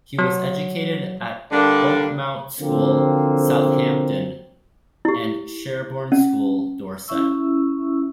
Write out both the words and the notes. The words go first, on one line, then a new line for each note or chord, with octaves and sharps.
He was educated at Oakmount School, Southampton and Sherborne School, Dorset.
F#3
D3 G3 A#3 D4
D3 F3 F#3 A#3 C4
E4 G4
C#4
C#4 E4 E5 C#6 E6